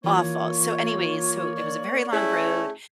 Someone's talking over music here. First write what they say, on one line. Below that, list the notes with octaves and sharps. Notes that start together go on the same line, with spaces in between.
Awful. So, anyways, so it was a very long road.
E3 A#3 F4 C#5
D5
A3 C#4 E4 G#4